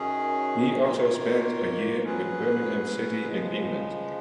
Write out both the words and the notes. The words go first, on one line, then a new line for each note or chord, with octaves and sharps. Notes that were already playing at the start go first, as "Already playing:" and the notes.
He also spent a year with Birmingham City in England.
Already playing: F#2 D#3 F#3 C#4 G#4
D#3 A#3 F4 A#4 C#5
G#2 F#3 C#4 G#4 B4
C#3 F3 G#3